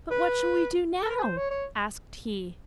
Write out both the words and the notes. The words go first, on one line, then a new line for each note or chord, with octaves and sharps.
'But what shall we do now?' asked he.
B4
A4
A#4
B4
C5
C#5
C#5